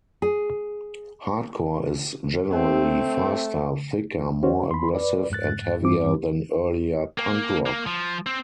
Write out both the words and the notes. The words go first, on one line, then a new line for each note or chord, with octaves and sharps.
Hardcore is generally faster, thicker, more aggressive and heavier than earlier punk rock.
G#4
A3 C4
C#4 F#4 C5 C#5
B5 C6
B4 D5
F2 G#2 F#6 A6
G2 E3 C4 D6
A#3
A#3
F3
C4